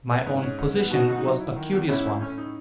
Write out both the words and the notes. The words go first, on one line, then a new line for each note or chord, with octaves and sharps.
My own position was a curious one.
B3
G#2
C#4
G#2
B3
B2 D#4 F#4
B1
F#3
E4
D#3
E2
G#2 C#4 E4
G#1
A2 C#4
D#4